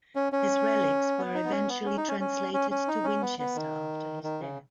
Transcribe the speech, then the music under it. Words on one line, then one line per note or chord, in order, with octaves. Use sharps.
His relics were eventually translated to Winchester after his death.
C#4
C#4
B3
D#4
B3
C#4
B3
C#4
D#4
C#4
C#4
C#4
C#4
D#4
C#4
B3
B3
D#3
D#3
C#3